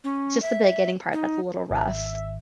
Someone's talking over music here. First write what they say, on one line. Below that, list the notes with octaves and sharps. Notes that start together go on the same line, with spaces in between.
Just the beginning part that's a little rough.
C#4
E5
D#4
G#1 E5